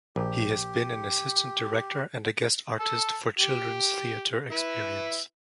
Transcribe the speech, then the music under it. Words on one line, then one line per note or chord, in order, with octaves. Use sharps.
He has been an Assistant Director and a Guest Artist for Children's Theatre Experience.
A#1 G4
A5 E6
G4
E4 B4 E5